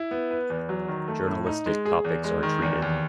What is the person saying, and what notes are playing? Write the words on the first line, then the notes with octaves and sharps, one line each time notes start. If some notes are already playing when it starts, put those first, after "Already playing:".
Journalistic topics are treated.
Already playing: E4
B3
B4
E2
F#3
D#3
A3
A2
D#4
G#3
G#4
E2
G#3
D#3
E2
D#2